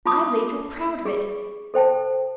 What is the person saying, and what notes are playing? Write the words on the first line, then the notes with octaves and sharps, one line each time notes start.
I believe you're proud of it.
F4 A5 B5 D6 D#6
G4 G#4
A4 C5 G5 A5